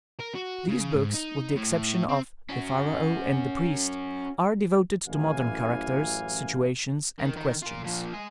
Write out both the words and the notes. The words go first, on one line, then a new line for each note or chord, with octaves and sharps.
These books, with the exception of "The Pharaoh and the Priest," are devoted to modern characters, situations, and questions.
A#4
F#4
C#3
G#2
D#4
A2
C4
C#4 F#4
A1 F#2 E3 F5 G#5
D#3
D#3
F4 A#4
A#2 F3
G#4 D#5